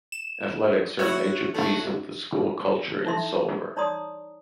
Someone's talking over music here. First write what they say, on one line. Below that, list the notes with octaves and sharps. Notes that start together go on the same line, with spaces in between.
Athletics are a major piece of the school culture in Sulphur.
E7
E4 F#4 C#5 E5
F#3 A3
D#4 E4 A4 E5 C6
D#4 C#5 D5 A#5 C6 D#6